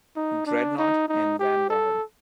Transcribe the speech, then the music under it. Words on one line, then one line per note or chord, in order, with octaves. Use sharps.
"Dreadnought" and "Vanguard".
D#4
D4
D#4
D#4
G4
A4